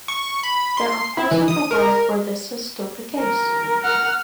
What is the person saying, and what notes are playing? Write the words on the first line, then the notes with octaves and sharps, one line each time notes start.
There are parts of the world where this is still the case.
C#6
B5
C6
E4
E3
D#6
A#4
A#4
F#5 F6